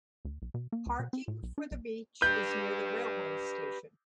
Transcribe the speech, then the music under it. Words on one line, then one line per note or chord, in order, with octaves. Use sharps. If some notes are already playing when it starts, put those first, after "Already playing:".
Parking for the beach is near the railway station.
D2
B1
B2
A#3
C#2
B2
C4
A2
B1
D4
B1
G4 B4 G6